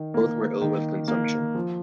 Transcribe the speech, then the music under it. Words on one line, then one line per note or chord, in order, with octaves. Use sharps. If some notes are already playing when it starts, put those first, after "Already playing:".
Both were ill with consumption.
Already playing: D#3
A#3
D#3
A#3
F3